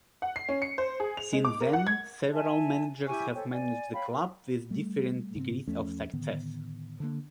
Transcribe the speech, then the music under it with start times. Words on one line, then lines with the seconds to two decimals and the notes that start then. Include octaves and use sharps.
Since then, several managers have managed the club with differing degrees of success.
0.22 F#5
0.36 C7
0.49 C#4
0.62 C#7
0.78 C5
1.00 G#4
1.17 F7
1.33 G#3
1.45 D6
1.61 A#4
1.73 F#5
1.87 G#6
2.33 E5 G#5 A5
3.08 E4 G4 G#5 C#6
3.34 A4 C5 C#5 G5
3.52 D5 G#5
3.93 C#5 F5 G5 B5
4.10 A#4
4.71 G3 A3
5.35 G#2 C#3 B3 C4
5.68 E2 F3 A3 C#4
6.13 A2 D3 D#3 B3
7.00 D3 A#3